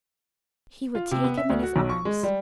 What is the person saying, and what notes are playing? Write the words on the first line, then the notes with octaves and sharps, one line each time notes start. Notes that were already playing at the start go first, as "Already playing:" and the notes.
He would take him in his arms.
F4
C3
B3
E5
D2
F#4
B1
C#6
G#3
G3